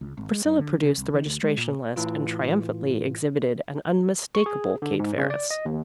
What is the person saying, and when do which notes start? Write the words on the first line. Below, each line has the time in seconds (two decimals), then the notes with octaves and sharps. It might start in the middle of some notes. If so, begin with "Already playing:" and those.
Priscilla produced the registration-list, and triumphantly exhibited an unmistakable Kate Ferris.
0.01 C#2
0.17 G#1
0.32 G#3
0.45 G2
0.59 D3
0.83 C#3
0.98 C2
1.14 D#3
1.26 D2
1.43 G#3
1.57 A#2
1.96 A2 E3 F4
4.35 C#6
4.46 G#4
4.82 D3
4.99 G#2
5.18 C#3
5.30 D5
5.51 D#5
5.65 D#2